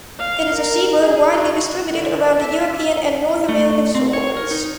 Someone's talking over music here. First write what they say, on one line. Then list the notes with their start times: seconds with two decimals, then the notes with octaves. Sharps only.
It is a seabird widely distributed around the European and North American shores.
0.19 F5
0.55 A#4
1.00 G#4
1.31 F#4
1.91 D3
2.41 E5
3.49 A3
3.95 C4
4.13 C#5
4.37 A#4
4.51 D#4